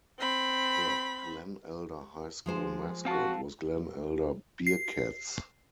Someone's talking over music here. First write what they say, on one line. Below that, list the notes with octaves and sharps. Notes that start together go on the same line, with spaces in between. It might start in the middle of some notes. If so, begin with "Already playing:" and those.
The Glen Elder High School mascot was Glen Elder Bearcats.
C4 B5
F3 G#3 C5
C4 F#4 F5 A5
C7